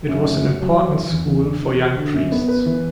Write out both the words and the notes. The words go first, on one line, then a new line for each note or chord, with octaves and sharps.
It was an important school for young priests.
F#2
A3
F#4
F#3
F#4
E3
E2
E3
D4
E3
F#4
D3
F#2
B3
B4
E3